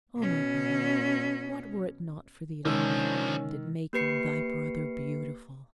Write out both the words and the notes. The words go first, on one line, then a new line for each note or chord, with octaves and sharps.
O my brother, what were it not for thee to have a hand in making thy brother beautiful!
B2 C#4
C3 D#3 F3 G#3 C#4 D4 E6
A#3 G4 B4 C7 C#7